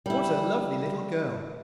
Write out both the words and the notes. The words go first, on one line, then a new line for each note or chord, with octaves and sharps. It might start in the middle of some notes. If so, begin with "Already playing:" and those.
'What a lovely little girl!
G3 E4